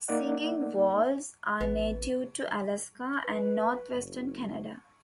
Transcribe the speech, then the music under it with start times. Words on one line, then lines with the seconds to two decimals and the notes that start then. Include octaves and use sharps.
Singing voles are native to Alaska and north-western Canada.
0.08 A#3 D#4 D5 F#5
1.61 A1 B3
3.25 B4
3.93 F#1